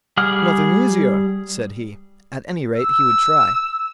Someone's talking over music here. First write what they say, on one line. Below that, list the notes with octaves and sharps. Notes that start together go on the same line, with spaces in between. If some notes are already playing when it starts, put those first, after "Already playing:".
'Nothing easier', said he; at any rate he would try.
G3 G#4 F#5 F6
E6